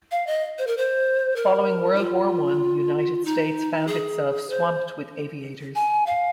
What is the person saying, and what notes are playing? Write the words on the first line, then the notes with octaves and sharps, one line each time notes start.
Following World War One, the United States found itself swamped with aviators.
F5
D#5
C5
A#4
C5
A#4
D#4
F4
D#4
G#4
C5
G#5
F5